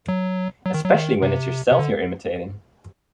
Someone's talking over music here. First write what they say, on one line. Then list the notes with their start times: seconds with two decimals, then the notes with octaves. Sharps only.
Especially when it's yourself you're imitating.
0.08 F#3
0.66 F#3
0.74 D#3
0.85 F#3
0.94 D#3
1.22 C3
1.71 C3
1.79 D3